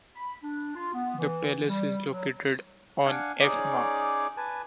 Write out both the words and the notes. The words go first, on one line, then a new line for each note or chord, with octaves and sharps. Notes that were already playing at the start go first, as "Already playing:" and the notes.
The palace is located on F. Ma.
B5
D4
F4
B3
E3
G3
F#3
D4 F5 F#5 G#5
C#4 D#4 G#4 C#5 D5 D6
B4 G#5 A5